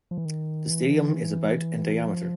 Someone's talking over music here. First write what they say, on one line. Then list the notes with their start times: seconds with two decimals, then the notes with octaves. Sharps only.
The stadium is about in diameter.
0.11 F3
0.18 E3
0.25 D#3
0.70 E3
2.06 F3